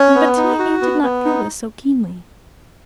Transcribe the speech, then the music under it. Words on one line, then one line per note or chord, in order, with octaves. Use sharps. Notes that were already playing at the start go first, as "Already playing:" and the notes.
But tonight Anne did not feel this so keenly.
Already playing: C#4 C#5
B3
D#4
F#4
B3
B3
D#4